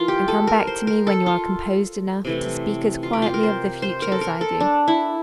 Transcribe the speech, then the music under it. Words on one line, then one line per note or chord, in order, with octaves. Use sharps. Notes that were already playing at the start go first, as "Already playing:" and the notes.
"And come back to me when you are composed enough to speak as quietly of the future as I do."
Already playing: E3 F4 A#4
G4
A4
A#4
C5
A#4
A4
F4
C3 E3 A3
F4
G4
F4
A#4
C5
C5
A#4
A4
A#4
A4
D4
E4